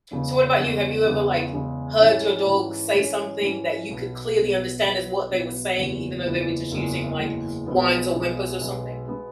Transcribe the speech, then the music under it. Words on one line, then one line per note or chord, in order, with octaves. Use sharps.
So, what about you? Have you ever, like, heard your dog say something that you could clearly understand is what they were saying even though they were just using, like, whines or whimpers or something?
E2 C#3 G#3
E2 C#3 G#3
E2 C#3 G#3
E2 C#3 G#3
G#2 E3 C#4
G#2 E3 C#4
G#2 E3 C#4
G#2 E3 C#4
B1 B2 B3
B1 B2 B3
B1 B2 B3
B1 B2 B3
F#1 E2 E3 G#3
F#1 E2 E3 G#3
F#1 E2 E3 G#3
F#1 E2 E3 G#3
B1 B2 G#3 B3
B1 B2 G#3 B3
B1 B2 G#3 B3
B2 G#3 B3